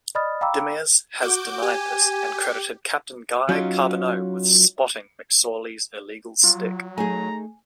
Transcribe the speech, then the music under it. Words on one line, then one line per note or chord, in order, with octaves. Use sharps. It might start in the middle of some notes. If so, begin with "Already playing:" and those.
Demers has denied this and credited captain Guy Carbonneau with spotting McSorley's illegal stick.
D5 D#5 B5 D#6 F6 A6
F5 G5 A#5 B5 D6 E6
F#4 D6 G6
G4 G#5
F#3 C#4 D#4 F4
F#3 F4
A3 D#4 G#4 G#5 A#5